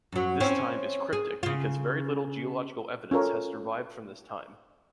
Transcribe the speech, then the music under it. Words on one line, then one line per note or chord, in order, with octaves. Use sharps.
This time is cryptic because very little geological evidence has survived from this time.
F#2 F#3
C4 C#4 E4
G#4
C#3 F4
C#4 F4 A4 A#4 C#5